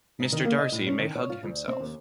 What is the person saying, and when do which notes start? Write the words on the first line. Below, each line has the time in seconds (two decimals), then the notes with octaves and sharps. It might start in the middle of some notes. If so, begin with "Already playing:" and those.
Mr. Darcy may hug himself.
0.20 G#2
0.32 D#3
0.45 A#3
0.58 D#5
0.72 A2
0.87 C#4
0.99 D#3
1.15 C#5
1.30 F4
1.43 D2
1.68 C4
1.80 D#2